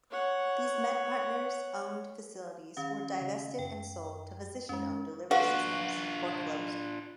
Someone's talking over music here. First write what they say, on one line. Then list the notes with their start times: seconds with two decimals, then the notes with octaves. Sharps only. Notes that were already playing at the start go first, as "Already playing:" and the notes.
These MedPartners-owned facilities were divested and sold to physician-owned delivery systems or closed.
0.11 C#5 F#5
2.77 D#3 C#4 F5
3.21 C#3
3.59 F#2 G5
4.69 F#2 G#3 C#4
5.31 D4 F4 F#4 B4 F5